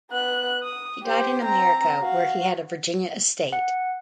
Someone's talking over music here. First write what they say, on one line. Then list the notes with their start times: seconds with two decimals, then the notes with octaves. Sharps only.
He died in America, where he had a Virginia estate.
0.11 B3 F#6
0.63 D#6
1.04 G4 C5
1.44 C4 A#5
2.01 F#4 F5
3.53 F#5